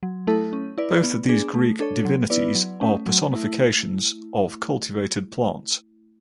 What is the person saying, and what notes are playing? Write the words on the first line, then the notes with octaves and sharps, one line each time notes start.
Both of these Greek divinities are personifications of cultivated plants.
F#3
A3 E4 A4
C#4
E4 B4 D5
B3
D4 G#4
A3
D4 A4 C#5
F#3
B3 E4 B4 D5
F#3
A3 C#4
F#3
A3 E4